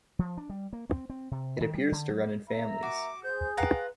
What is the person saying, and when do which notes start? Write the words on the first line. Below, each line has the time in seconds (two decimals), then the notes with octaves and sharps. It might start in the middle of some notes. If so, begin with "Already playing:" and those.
It appears to run in families.
0.19 F3
0.37 D4
0.50 G3
0.73 A#3
0.90 C4
1.10 C4
1.31 C3
1.60 D#3
1.74 G3
1.92 D3
2.09 F#3
2.50 A#3 E5 A#5
2.83 F#4 D6
3.23 G#4 C5 G6
3.57 F4 B4 F#5 G5 A#5